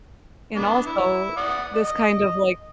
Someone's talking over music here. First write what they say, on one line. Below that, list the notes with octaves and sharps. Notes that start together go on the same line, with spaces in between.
And also, this kind of, like
B3 D4
E4
D5 F#5 D#6
D#5